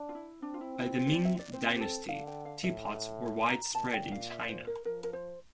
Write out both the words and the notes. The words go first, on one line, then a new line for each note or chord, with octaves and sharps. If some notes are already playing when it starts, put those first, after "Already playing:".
By the Ming Dynasty, teapots were widespread in China.
Already playing: D4
F4
E4
C4 D4
F4
E4
E4
F4
C5
D5
E5
D5
C4 C5
G4
A4
D3 F5
G5
F5
A2 E5
A#5
A#2 A5
G5
F5
E5
C5
A#4
F3 A#4
A#4
C5